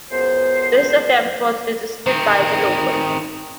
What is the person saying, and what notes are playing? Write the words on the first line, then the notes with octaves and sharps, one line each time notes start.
This attempt was resisted by the locals.
C#2 F#2 B3 C5
D#3 C4